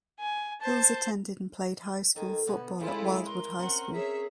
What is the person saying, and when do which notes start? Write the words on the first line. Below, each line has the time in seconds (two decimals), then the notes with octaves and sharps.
Hills attended and played high school football at Wildwood High School.
0.20 G#5
0.61 C5 A5
2.16 D#3 A4 D#5 G#5
2.47 B2 D3 B3 F#5
2.81 C#3 G#3 C4 E4 F4 G4 A4
3.25 A#4 B4 C6
3.59 C4 C#4 A#4 F#5
3.94 G#4 C#5 E5